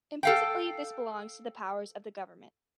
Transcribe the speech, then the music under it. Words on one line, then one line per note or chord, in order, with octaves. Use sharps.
Implicitly this belongs to the powers of the government.
A4 F5 G5